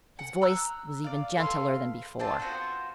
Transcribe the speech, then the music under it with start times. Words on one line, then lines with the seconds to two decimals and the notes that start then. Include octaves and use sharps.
His voice was even gentler than before.
0.19 F#5
0.42 A#5 E6 F#6
1.04 D5 F5
1.37 A4 B4 F5 C6
2.19 C4 D4 F4 A5
2.39 B3 F4 F#4 C5